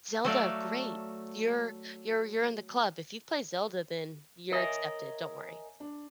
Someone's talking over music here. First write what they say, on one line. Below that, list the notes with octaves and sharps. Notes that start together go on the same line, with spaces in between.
Zelda, great. You're you're you're in the club. If you play Zelda, then you're accepted, don't worry.
F#3 A3 D5 F5
A#4 C#5 D#5 E5 G#5
D4